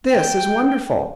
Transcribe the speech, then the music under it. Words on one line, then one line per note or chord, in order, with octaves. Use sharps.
This is wonderful!
G5